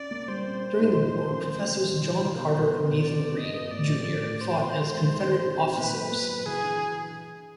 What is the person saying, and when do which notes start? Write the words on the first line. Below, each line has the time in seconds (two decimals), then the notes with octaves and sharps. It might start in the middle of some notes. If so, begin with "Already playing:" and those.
During the war, professors John Carter and Nathan Green, Junior fought as Confederate officers.
Already playing: C#4 D5
0.11 A#3
0.28 G3 C5
0.44 C4
0.62 C4
0.79 D#4
0.97 E3
1.14 E3
1.31 C#4
1.48 A3
1.65 C3 C5
1.82 G3
2.00 D#3
2.16 D#3
2.34 B2
2.51 F#3
2.68 B3
2.86 B2
3.02 D4 D5
3.20 B3
3.37 D4 D#5
3.54 B3
3.71 A2 D5
3.89 F3
4.06 A2
4.23 A2
4.40 D4 C5
4.57 B3
4.74 G#3
4.92 G#3
5.09 D#4
5.26 G#4
5.43 C4
5.61 D#4
5.77 A#2 B4
5.95 F#3
6.12 A#3
6.29 F#3
6.46 E3 G#4
6.64 D4
6.81 E3